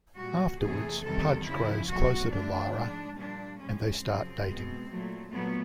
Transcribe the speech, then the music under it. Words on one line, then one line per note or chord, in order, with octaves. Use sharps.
Afterwards, Pudge grows closer to Lara, and they start dating.
A#2 G3 F#4
E2 C3 E3 A3 G#4
E2 C3 D#3 G3 A4
E2 C#3 F3 E4
B2 F#3 A3 F#4
F2 D3 F3 A3 D4
G#2 F3 G#3
A#2 G3 D4
A2 F3 G#3 C#4
F#2 C#3 F3 C4
B2 G#3
A#2 F#3 A3
A#2 F#3 A3 B3